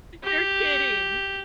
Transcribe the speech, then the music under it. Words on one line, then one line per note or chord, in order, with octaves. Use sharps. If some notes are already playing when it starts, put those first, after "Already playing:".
You're kidding.
G4